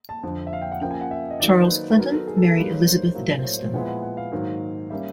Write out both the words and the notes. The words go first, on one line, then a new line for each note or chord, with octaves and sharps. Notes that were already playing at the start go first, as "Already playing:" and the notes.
Charles Clinton married Elizabeth Denniston.
A5
F2 D3 F3
E5
F5
G5
F#5
C#3 F3 A#3 G5
G#5
F#5
E5
D#5
D#3 F#3 A#3 D#4 D5
C5
B4
B4
F#3 B3 D#4 F#4 A#4
A4
G#4
A4
A4
G3 A#3 D#4 G#4 B4
C#5
C5
A2 F#3 A#3
C5
C#5
C5
A#2 F3 G#3 B3 E4 F#5
F#5
F#5
F5
G#2 D#3 F#3 A#3
G3 A#3 C#4 E5